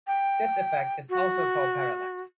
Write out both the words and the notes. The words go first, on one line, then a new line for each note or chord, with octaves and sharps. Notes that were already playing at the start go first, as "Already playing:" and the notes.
This effect is also called parallax.
G5
F#4